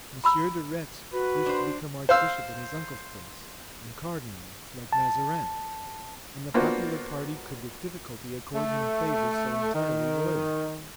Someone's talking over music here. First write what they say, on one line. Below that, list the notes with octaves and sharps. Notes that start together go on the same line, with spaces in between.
Monsieur de Retz wished to become archbishop in his uncle's place, and cardinal, like Mazarin; and the popular party could with difficulty accord him favors so entirely royal.
A#5 B5 E6
F#4 B4
D4 C5
C5 F5 E6
A5
A#3 B3 D4 F4 F#4 C5
A3
D#3